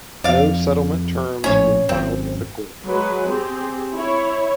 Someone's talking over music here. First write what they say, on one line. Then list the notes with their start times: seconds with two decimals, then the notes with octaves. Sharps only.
No settlement terms were filed with the court.
0.24 F2 D5 F5
1.44 A#1 A2 C#4 C#5
1.89 G#1 F#2 C4
2.85 F#3 G#3 B4
3.28 C4 G4 G#4
3.94 E4 C#5